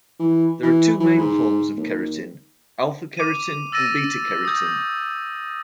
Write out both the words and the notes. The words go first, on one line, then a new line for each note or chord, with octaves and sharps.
There are two main forms of keratin, alpha-keratin and beta-keratin.
E3
E3
E3
G#2
D#2
D6 D#7
E6 A6 A#6 D#7
D#6 G6